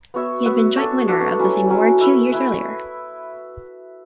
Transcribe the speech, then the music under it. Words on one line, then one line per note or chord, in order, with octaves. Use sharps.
He had been joint winner of the same award two years earlier.
B3 F#4 C#5 E5
B3 F#4 C#5 E5
D4 F#4 A4 C#5
D4 F#4 A4 C#5
F#3 C#4 E4
F#3 C#4 E4
E4 B4 E5
E4 B4 E5